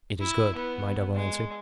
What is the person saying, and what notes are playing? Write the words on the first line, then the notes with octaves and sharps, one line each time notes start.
"It is good," my double answered.
E4
B3
G#3